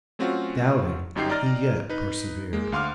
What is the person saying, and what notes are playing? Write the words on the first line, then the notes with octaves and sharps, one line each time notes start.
Doubting, he yet persevered.
F#3 A3 C4 C#4 F4 F#4
G1 F#2 D#4 G4 G5 C7
D5 D#5 G5 A#5 F6 A6
D#4 B4
G#3 A#3
D2 F5 C6 D6 F6